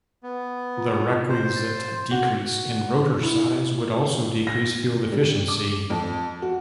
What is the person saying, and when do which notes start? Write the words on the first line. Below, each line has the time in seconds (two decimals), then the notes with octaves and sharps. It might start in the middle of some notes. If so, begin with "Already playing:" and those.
The requisite decrease in rotor size would also decrease fuel efficiency.
0.23 B3
0.77 F4
1.29 C5
1.56 A6
2.11 F#4
3.23 E4
4.47 A#6
5.12 G3
5.48 D6
5.90 F2
6.42 F#4